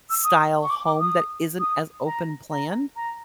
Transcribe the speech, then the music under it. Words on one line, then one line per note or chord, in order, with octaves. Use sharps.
style home that isn't as open plan,
E6
D#6
C#6
D6
D6
D#6
D#6
A#5
A#5
A#5